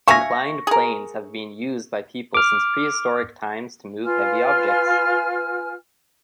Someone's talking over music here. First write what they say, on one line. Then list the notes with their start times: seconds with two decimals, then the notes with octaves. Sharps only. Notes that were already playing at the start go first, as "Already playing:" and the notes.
Inclined planes have been used by people since prehistoric times to move heavy objects.
0.08 E5 F5 G#5 C#6 A#6
0.67 G#4 A#4
2.34 D6 F6
4.04 F4 B4 G#5 F6